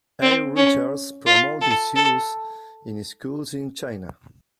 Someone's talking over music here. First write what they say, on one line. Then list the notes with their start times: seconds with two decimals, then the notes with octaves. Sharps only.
A. Richards promoted its use in schools in China.
0.22 C4
0.57 C#4
1.26 F4
1.61 A4
1.96 A4